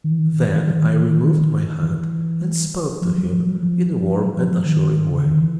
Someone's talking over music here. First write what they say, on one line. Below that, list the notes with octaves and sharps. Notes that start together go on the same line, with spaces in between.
Then I removed my hand and spoke to him in a warm and assuring way.
D#3
E3
D#3
E3
D#3
E3
D#3
E3
D#3
E3
D#3
E3
D#3
E3
D#3
E3
D#3
E3
F3
F#3
F3
F#3
F3
F3
F#3
F3
F3
D#3
C#3
D3
D#3
E3